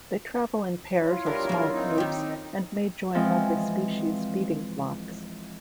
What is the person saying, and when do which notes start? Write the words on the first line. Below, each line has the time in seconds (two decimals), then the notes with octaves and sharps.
They travel in pairs or small groups, and may join multi-species feeding flocks.
1.01 E4 F4 C#5
1.26 G3 D4 A#4
1.49 F#3 A#3
1.73 C4 D#4
1.98 D#3 G4
3.14 E3 F3 G#3 C4